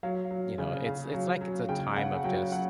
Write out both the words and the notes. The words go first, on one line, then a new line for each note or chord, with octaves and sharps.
you know, it's it's like it's a time of just
F#3 F5
F#3
C#3
C#3 F5
F#3
F#3
C#3 G5
C#3 F#5
F#3 G5
F#3 F#5